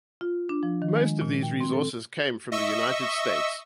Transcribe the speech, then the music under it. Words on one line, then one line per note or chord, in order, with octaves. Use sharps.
Most of these resources came from the United States.
F4
D4
F3
D#3
G#3
A#2
G5
C4
A4
D#5 E5 C#6 E6